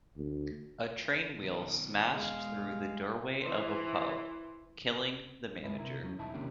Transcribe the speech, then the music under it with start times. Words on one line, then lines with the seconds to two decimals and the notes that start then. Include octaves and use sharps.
A train wheel smashed through the doorway of a pub, killing the manager.
0.16 D2
1.41 B2 D#3
2.13 E2 B2 G#3 F5
3.42 E3 C5
5.63 D2 G2 G#3 E4 B4
5.78 C3 E4 A#4
6.01 E2 F#3 C#4
6.18 B1 E2 D#4 E4 A5
6.34 C3 D#3 A#3 C#4 D4 G4